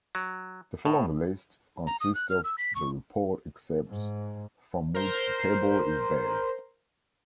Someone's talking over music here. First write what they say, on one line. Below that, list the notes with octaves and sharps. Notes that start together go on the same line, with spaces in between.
The following list consists of the report excerpts from which the table is based.
F#3
A2
A#5
D#6
F#6
F6
E6
B6
C#6
G#2
A#4 C5